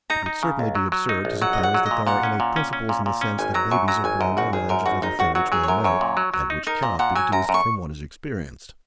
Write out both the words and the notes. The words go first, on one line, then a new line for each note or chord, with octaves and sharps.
It would certainly be absurd to suppose that there are innate principles in the sense that babies are born with a knowledge of everything which men know and which cannot be deduced from what is experienced.
D#4 A#5
D#4
C#3
C#2
F#3
F#3
D#4
A#1
F#3 F#5
D#5
A#1
F#5
F#3
D#5
A#2
A#2 F#5
C#4
A#2
C#4
C#4
A#2
A#2
C#4
G#1 G#5
F#3 A#5
F#2 C#6
F#3 A#5
G#1 G#5
F#2 D#5
G#1 F#4
G#1 G#4
F#2 A#4
G#1 F#4
G#1 D#4
G#1 F#4
F#3 F#4
F#3 G#4
C#5
F#2 A#4
F#2 C#5
A#2
F#3
F#3
D#4
D#4 A#4
A#2 D#5
A#2 F#5
F#3 G#5
F#2 A#5
F#2
C#6